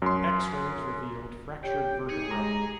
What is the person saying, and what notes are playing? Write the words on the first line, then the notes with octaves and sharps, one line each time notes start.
X-rays revealed fractured vertebra.
F#2 C6
G4 C#5 G5
D#4 G#4 C#7
G#3 A#5